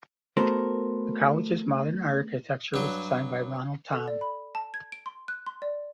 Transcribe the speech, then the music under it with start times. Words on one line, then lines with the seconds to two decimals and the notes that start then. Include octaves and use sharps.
The college's modern architecture was designed by Ronald Thom.
0.37 A3 B3 F#4 A4 A#4 C5
2.74 G2 F#3
3.93 A4
4.08 D5
4.21 B5
4.55 A5
4.74 G#6
4.92 D7
5.06 C6
5.28 F#6
5.46 C6
5.62 D5